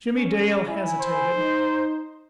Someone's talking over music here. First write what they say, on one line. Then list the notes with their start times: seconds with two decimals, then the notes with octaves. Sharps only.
Jimmie Dale hesitated.
0.16 C#4
0.68 E4 G#5
1.00 C5
1.36 D#4